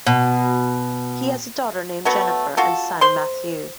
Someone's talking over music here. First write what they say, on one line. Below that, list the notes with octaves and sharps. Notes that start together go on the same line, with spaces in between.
He has a daughter named Jennifer and son Mathieu.
B2
F#3 A3 B3 F#4
F4 F#4 A4
C5 C6